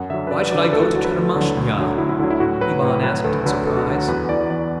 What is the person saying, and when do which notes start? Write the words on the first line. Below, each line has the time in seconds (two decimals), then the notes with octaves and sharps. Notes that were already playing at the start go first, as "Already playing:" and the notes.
"Why should I go to Tchermashnya?" Ivan asked in surprise.
Already playing: F#2 F#5
0.10 D3 F#3 E5
0.27 B4
0.31 F#2 D5
0.41 B4
0.51 D3 F#3 D5
0.62 B4
0.73 D2 A4
0.78 E4
0.83 F#4
0.93 D3 F#3 F#4
1.04 B4
1.15 D2
1.36 D3 F#3
1.57 D2
1.78 D3 F#3
1.98 D2 E4
2.09 E4
2.19 D3 F#3
2.30 E4
2.40 A2 F#4
2.61 F#3 B4
2.82 A2
3.04 F#3 B4
3.24 D2 A4
3.46 D3 F#3 B4
3.66 D2 A4
3.77 F#4
3.87 D3 F#3 F#4
3.98 F#4
4.08 E2 B4
4.29 E3 D5
4.50 E2 D5